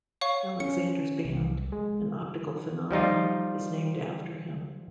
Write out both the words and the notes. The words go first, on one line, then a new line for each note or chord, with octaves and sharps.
Alexander's band, an optical phenomenon, is named after him.
C#5 F5 C#6
C#4 C#7
C2
G#3
F3 G3 D#4 F4